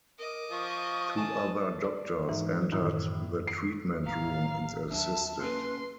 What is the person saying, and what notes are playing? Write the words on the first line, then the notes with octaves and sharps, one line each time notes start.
Two other doctors entered the treatment room and assisted.
A#4 D#5 D6
F3 C#6 D#6
G#5 A5 D#6
D5
G#2 E3
F#2 A2 D#3
C7
A1 F5 A#5
D#2 F#3 D4 E5 A5
A#3 C#4 B4 C6